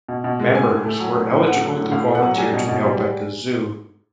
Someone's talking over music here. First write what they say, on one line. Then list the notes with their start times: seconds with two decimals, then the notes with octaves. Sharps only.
Members were eligible to volunteer to help at the Zoo.
0.08 B2
0.24 B2
0.39 G#3
0.55 A2 G#5
0.70 A2
0.85 A3
1.00 F#3
1.16 A2
1.31 A2
1.46 A3 F#5
1.61 F#3
1.77 A2
1.92 A2 F5
2.08 A3
2.15 F#5
2.22 F#3
2.37 G3 G#5
2.53 B2
2.69 B2
2.84 G3
2.99 G3